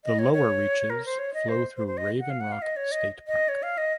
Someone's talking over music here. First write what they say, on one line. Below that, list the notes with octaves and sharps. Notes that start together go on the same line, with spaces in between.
The lower reaches flow through Raven Rock State Park.
D#5
C#5
C#5
A#4
C5
C#5
D#5
C5
C5
C5
D#5
F#5
F5
F#5
F5
D#5
C#5
D#5
D#5
C#5
F5
D#5